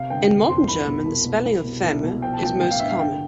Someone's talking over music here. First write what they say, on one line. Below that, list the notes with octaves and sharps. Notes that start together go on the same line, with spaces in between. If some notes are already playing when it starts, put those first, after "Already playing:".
In Modern German, the spelling of "Feme" is most common.
Already playing: C3 F5
G1 G5
G1
F2 C6
C2 B5
B2
C2
B2
C2
B2
C2
B2
F3 G5
A5
A1 G5
A1 G5
F5
G2 E5
F5
D3 G5